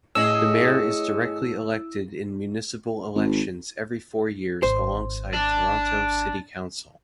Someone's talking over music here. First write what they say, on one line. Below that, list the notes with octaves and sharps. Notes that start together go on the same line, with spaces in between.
The mayor is directly-elected in municipal elections every four years alongside Toronto City Council.
A2 C#4 G#4 D#5 E6
G#1
G#1 C5
D4